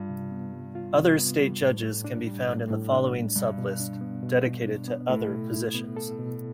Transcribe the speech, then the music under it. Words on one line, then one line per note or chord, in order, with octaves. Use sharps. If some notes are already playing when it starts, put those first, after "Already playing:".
Other state judges can be found in the following sub-list dedicated to Other positions.
Already playing: G2 F4
C3
B3
G3
F4
C3
B3
G3
A2
A2
D4
G3
A2
A2
D4
G3
G2 B2
B2
D4
B3
B2
B2
D4
B3
A2 A4
B2
E4
B3
A4
B2